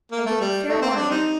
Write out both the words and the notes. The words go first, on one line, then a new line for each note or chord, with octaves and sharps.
I give you fair warning.
A#3
A3
G3
A3
C4
D4
G3 C4 D#4